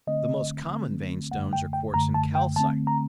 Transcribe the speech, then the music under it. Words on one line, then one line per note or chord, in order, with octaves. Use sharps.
The most common vein stones are QUARTZ and CALCITE.
D3 A3 C4 D#5
D3 A3 C4
F#2 D3 A3 F#5
G5
G5
F#2 D3 A3 A#5
A5
G5
D3 A3 C4 A5
A#5